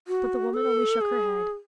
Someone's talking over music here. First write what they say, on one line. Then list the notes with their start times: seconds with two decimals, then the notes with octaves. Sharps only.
But the woman only shook her head.
0.08 F#4
0.54 A4
1.01 G#4